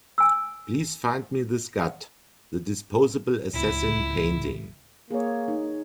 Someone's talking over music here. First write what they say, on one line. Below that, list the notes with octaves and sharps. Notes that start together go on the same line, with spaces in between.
Please find me the Scud: The Disposable Assassin painting.
G#5 E6
D1 C#2 E4
A#3 G#4 C#5
D#4